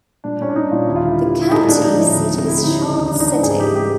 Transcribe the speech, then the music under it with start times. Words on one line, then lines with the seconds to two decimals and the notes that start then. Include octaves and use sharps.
The county seat is Charles City.
0.24 A#2 D4
0.40 A#2 C#4
0.49 D4
0.56 A#2 D#4
0.71 A#2 F4
0.88 D#2 E4
0.96 F4
1.03 D3 E4
1.19 G3
1.35 G3
1.41 E4
1.52 A2 D#4
1.68 A#3 D4
1.84 F3 D#4
1.99 A2
2.15 D2
2.32 C3
2.47 C3 E4
2.64 D2 D#4
2.79 C#3 D#4
2.95 D#2
3.11 E3 D4
3.20 D#4
3.27 C#3 D4
3.43 G#2 G#4
3.59 E3 G4
3.75 A3 G4